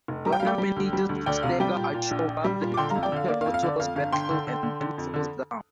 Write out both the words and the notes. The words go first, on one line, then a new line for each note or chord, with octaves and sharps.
Loana manages to stagger ashore while the two pterosaurs battle and then falls down.
F1
G3 A#5
G5
F5
G3 D5 G5
G3
D2
G3
D2
D2 D5 G5
C3 F5
G3 D5 G5
A#2
A#2
A#1
A#1
G3
A#2
D6
D3 G5 C6
F5 A#5
F2
D5 G5
D3 F5
A#3 D5
F5
F2
F5
D3 D5
F2 F5
G1 F5
G1 G5 C6
D3
D3
D3
D3
F2
D3